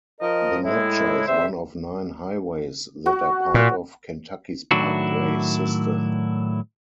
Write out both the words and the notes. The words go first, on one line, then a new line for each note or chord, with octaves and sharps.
The Natcher is one of nine highways that are part of Kentucky's parkway system.
F3 A#4 D#5
A2 G#3 E4
E2 C3 C4 C5 E5
F#4
A#2
A2 D#3 F#3 D4 E4 F#4